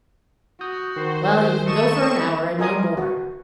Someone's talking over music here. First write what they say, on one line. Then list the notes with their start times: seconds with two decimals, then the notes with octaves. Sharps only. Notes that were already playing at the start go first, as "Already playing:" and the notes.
Well, you can go for an hour, and no more.
0.61 F#4 D#6 G6
0.96 D#3 C5
1.65 A3 A4 D#5 C#6 E7
2.59 F4 A#4 D#5 G#5 D#6
2.97 F#4